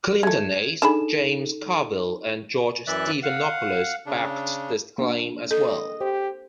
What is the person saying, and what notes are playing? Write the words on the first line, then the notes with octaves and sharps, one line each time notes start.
Clinton aides James Carville and George Stephanopoulos backed this claim as well.
G#3 A3 G#6
D4 D#4 G#4 A4 B5 E7
F#2 E3 D5 E5 F#6
F5 F#5
C#3 D4
A#3 D4
A4 D#5
G4 C5